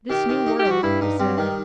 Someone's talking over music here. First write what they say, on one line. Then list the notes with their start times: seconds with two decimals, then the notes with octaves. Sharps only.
"This new world," he said.
0.10 D#3 G4
0.29 D#3
0.47 D#4
0.59 G4
0.65 G3
0.71 F#4
0.83 G2 E4
1.01 G2 D#4
1.20 G3 C4
1.38 D#3 D#4